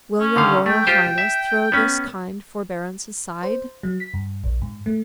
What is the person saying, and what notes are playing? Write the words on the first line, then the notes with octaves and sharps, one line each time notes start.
Will your royal highness throw this kind forbearance aside?
C#4
D3 D#3 F5
A3 G5
F4 G4 C5
E5
B3 C#4
C5
F#3
B6
G2
A#1
G#2
A3